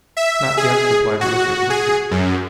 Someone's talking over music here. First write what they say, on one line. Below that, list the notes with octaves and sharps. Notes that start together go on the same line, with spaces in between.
"Not yet," replied Lucian quickly.
E5
G#4
F#4
G#4
F#2